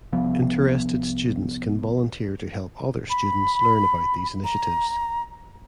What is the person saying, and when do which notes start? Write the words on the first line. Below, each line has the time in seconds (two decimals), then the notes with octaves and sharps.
Interested students can volunteer to help other students learn about these initiatives.
0.13 C2 F3 B3
3.09 B5
4.44 A#5